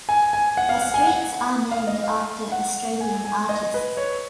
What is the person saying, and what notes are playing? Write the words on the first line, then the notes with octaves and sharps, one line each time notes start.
The streets are named after Australian artists.
G#5
G#5
F#5
F5
F#5
G#5
F#5
F5
D#5
F5
F#5
G#5
G#5
D#5
B4
C#5